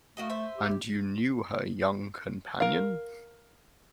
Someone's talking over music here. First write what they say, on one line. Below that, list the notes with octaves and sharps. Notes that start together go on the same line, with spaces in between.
And you knew her young companion?
A3 A#3 F#4 D#5
B4 C5 E5
G4
A#4 F5